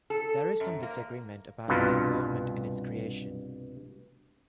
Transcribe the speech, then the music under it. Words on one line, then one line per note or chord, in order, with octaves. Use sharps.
There is some disagreement about his involvement in its creation.
A4
F#2
A#3
C2 G2 B2 F4 B4 A5